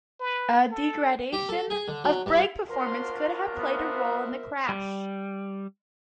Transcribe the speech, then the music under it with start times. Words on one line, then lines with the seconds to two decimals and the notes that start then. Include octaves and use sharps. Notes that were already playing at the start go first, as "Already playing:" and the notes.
A degradation of brake performance could have played a role in the crash.
0.20 B4
0.71 A4
1.33 G4
1.49 A4
1.70 G#4
1.88 D3
2.04 F#3
2.26 G2
2.69 F#3 D4 F4 A#4 C5 C6
3.56 B3 C5 E5
4.69 G3